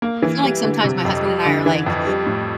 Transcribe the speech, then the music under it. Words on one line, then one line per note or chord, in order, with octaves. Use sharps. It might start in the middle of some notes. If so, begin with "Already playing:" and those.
I feel like, sometimes, my husband and I are, like,
A#3
E3
G3
D3
C3
F2
G3
D3
E3
F2
G3
A2